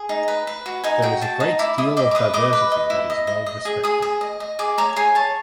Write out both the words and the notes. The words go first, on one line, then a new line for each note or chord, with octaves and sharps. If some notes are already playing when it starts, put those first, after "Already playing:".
There is a great deal of diversity that is well respected.
Already playing: G#4
D#4
B4
B4
F#4
D#4 G#5
F#4 G5
F#4 A5
D#4 A5
E4 D6
E4 D#6
D#5 D6
D6
B4 D#6
D#5 D6
B4
D#5
E4
D#5
D#5
D#5
G#4
G#4 D#6
G#4
D#5
D#5
G#4 D6
C#5 A#5
G#4 G#5
C#5 A5